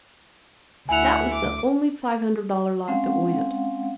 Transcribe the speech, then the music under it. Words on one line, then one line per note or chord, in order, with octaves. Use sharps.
That was the only five-hundred-dollar lot that went.
D2 E4 F#5 G#5 F7
D6
G#3 C4 C#4 F5 F#5